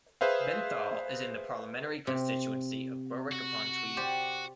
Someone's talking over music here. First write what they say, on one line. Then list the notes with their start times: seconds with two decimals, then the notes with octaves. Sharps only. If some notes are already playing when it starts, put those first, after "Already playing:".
Benthall is in the parliamentary constituency of Berwick-upon-Tweed.
0.21 G#4 B4 C5 E5 F5
2.07 C3
3.32 F#4
3.97 G4 C5 D5